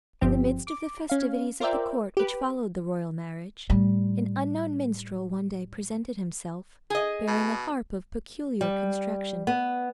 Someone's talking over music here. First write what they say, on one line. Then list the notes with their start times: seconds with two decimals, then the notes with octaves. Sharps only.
In the midst of the festivities of the court which followed the royal marriage, an unknown minstrel one day presented himself, bearing a harp of peculiar construction.
0.21 G1 G2 F3 C4 G4
0.67 D6
1.10 C#4 F5
1.60 F4 A#4 C5 D5 E5 G5
2.17 G4 B4
3.70 A2 G3
6.90 G#4 D#5
7.27 B2
8.61 G3
9.47 B3